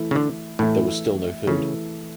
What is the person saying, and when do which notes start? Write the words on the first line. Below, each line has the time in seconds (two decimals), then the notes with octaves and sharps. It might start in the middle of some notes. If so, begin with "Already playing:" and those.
There was still no food.
Already playing: E3 A3 E4
0.11 C#3
0.15 D3
0.59 A2 E3 A3 E4
1.47 C#3 E3 A3 E4